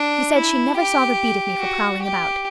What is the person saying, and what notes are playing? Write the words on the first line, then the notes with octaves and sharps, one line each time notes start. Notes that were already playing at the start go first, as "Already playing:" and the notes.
She said she never saw the beat of me for prowling about.
Already playing: D4
E4
G4
F#4
G4